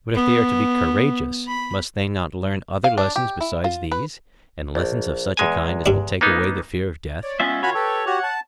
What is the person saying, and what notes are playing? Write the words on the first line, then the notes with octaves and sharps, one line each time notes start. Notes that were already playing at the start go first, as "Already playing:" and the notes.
But if they are to be courageous, must they not learn other lessons besides these, and lessons of such a kind as will take away the fear of death?
B3
B5
F5
D4
G4
E4
F4
B4
A#1
E2 G#3 G#5
G2 D4
A#3 B3 D#4
C#5 D5
G#3 B3 C#4 F4 E5
D#3 F4 F#4 C#5 F5 G#5 B5
G4 A4 B4 G5
F#4 G4 F#5
A5